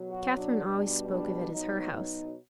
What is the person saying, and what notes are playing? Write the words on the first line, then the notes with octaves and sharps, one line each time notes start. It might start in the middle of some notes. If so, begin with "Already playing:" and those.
Catherine always spoke of it as her house.
Already playing: B2 F#3
F#4
D4
B2 G3 D4
D4
B2 F#3 D#4
D#4